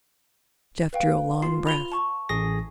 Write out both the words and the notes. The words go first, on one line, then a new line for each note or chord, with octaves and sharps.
Jeff drew a long breath.
B4 F5 G5
F4 C6 C7
B5 F7 G7
A5 C#6
A1 G#4 A#6